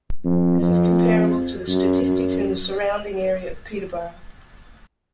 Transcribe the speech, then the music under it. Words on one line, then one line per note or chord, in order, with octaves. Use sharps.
This is comparable to the statistics in the surrounding area of Peterborough.
F2
F2
F#2
F#2